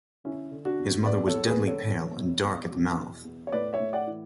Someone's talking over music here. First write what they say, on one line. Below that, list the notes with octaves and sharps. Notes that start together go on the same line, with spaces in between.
His mother was deadly pale and dark at the mouth.
D3 C#4 E4
D3
D4 F#4
E2
E2 B4 D5
A4 C#5
E2
G#4 B4
D3
A4 C#5
E2
B2
E2
B2
E2
E2
C#5
A2 B4 D5
C#5 E5
A2
D5 F#5
E3